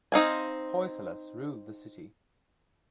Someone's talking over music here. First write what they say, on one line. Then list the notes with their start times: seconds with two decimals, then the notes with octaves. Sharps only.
Hoysalas ruled the city.
0.12 C4 D#4 F5 G#5